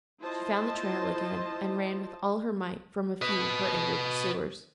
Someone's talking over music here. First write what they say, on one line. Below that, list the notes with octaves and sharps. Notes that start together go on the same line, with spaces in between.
She found the trail again, and ran with all her might from a few of her angry pursuers.
E4 F4 C5 D#5 A5
B4 D#5